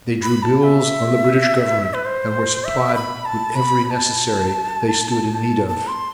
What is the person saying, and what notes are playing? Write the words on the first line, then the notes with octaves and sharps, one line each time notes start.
They drew bills on the British government, and were supplied with every necessary they stood in need of.
B5
A5
E5
B4
C5
E5
B5
A5
B5
B5
A5
A5
C6